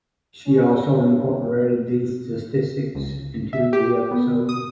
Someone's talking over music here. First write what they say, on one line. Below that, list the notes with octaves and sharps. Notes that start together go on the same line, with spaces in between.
She also incorporated these statistics into the episode.
C#4
G2 C#3
C#2
E5
G4
B3
D#6